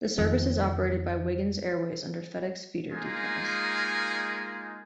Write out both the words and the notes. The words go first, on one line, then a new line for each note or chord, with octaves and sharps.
The service is operated by Wiggins Airways under FedEx Feeder decals.
F2 D#3
G#3 A#3 D#4 F4 G#5